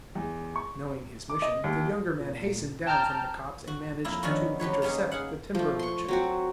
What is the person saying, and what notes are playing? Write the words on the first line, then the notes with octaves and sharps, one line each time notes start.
Knowing his mission, the younger man hastened down from the copse and managed to intercept the timber-merchant.
E2
C#6
D6
D#5
D#2
A#2
G5 A5 A#5 F6 G6
F#4
F2 A#3 E4
D3 D#3 F3 B3 C#4 F#4
F#3 G4 B4 C#5
A#3 B3 C#4 D#4 G#4
G#4 F5 F#5
F3 A3
C6 C#6
F#3 C4 F#4